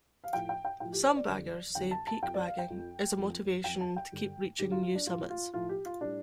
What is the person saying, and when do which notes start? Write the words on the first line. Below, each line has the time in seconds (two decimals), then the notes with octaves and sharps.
Some baggers say peak bagging is a motivation to keep reaching new summits.
0.24 F5
0.33 A2 F3 G5
0.49 G5
0.65 G5
0.80 A2 F3 G5
0.92 G4
1.04 C5
1.16 D5
1.28 F2 D3 G3
1.75 F2 D3 G3 G5
1.91 A5
2.07 A5
2.22 F2 G5
2.27 F3
2.34 D5
2.46 F5
2.58 G5
2.70 F2 F3
3.17 F2 F3
3.64 F2 F3 G5
3.81 A5
3.96 G5
4.12 G2 D3 G3
4.59 G2 D3 G3 G4
4.71 F4
4.83 F4
4.95 D4
5.07 A2 F3 F4
5.30 F4
5.54 A2 F3 F4
5.69 G4
5.85 F4
6.01 A2 G3 D4